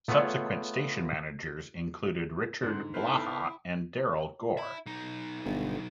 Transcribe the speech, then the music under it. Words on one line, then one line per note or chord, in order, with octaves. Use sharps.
Subsequent station managers included Richard Blaha and Darrell Gorr.
A3 B3 F4 G#4 C#5
G#2 D3 C4 F#5
B3 E4 A4 B4 C5 F5
E5 B5
B1 D#4
G1